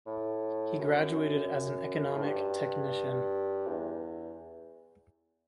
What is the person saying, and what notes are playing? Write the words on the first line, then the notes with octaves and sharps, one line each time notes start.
He graduated as an economic technician.
A2
F#2
A2
G2
E2